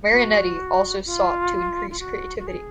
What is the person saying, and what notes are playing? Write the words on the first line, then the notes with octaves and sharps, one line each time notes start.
Marinetti also sought to increase creativity.
F#4
F4
F4
F#4
F#4
G#4